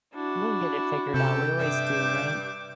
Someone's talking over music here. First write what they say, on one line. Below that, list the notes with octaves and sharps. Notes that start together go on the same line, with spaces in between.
We'll get it figured out. We always do, right?
D4 E4 F#4
C3 C#4 G4 A4 G5
G2 E5 D6